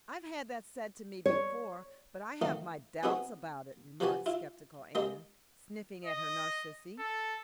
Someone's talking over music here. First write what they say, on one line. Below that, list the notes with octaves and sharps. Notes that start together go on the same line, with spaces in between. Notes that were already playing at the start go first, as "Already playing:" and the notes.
"I've had that said to me before, but I have my doubts about it," remarked skeptical Anne, sniffing at her narcissi.
C#5
D#3 E3 A3 A#3 D#4
B3 C4 D#4 F#4 G#4 B4
F3 F#4 G4 B4 G#5 A5
E4 F4
G#3 A#3 G4 D#5 C6
D#5
A4